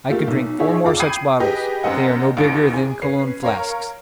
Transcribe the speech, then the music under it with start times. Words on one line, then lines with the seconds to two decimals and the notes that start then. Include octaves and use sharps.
I could drink four more such bottles; they are no bigger than cologne flasks.
0.10 A3 A#3 E4 F4 G4
0.27 B1
0.59 D#4 E4 G#4 C#5 E5
0.84 F2 A4 F5 D6
1.00 G5 B5 D#6 G#6 C7 D#7
1.40 G4 G#4 B4 D#5
1.83 F#2 C4 A#4 D#5 F#5 G#5
2.37 A1 D#2 D7
2.73 G#4 G#5
3.02 C#4 B4 C7
3.43 A#4 C#5 F5